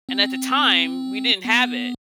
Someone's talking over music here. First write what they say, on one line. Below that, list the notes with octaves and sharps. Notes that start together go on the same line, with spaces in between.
and at the time we didn't have it.
C4
B3